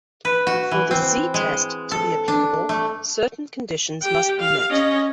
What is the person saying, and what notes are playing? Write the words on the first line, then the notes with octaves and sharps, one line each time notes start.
For the "Z"-test to be applicable, certain conditions must be met.
B4
F#4
E3
C4
G#3
A4
D4
A3
G4 G5
F5
C#4 D#5